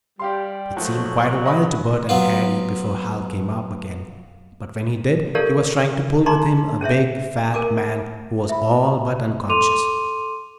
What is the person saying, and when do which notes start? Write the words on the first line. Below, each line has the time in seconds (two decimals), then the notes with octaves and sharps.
It seemed quite a while to Bert and Harry before Hal came up again, but when he did he was trying to pull with him a big, fat man, who was all but unconscious.
0.19 G3 G4 F5 C6
0.77 F3 F#3 A3
1.46 D#5 B5
2.09 F#3 B3 F4
5.35 G4 A4 A#4 C#5 D5 F5
6.26 D4 D#4 G#4 A#5 C6 D6
6.81 C#4 G#4 C#5 E5
7.54 A#4 G#5 D6
8.49 E5 B5
9.49 A4 C6 D6 D#7 F7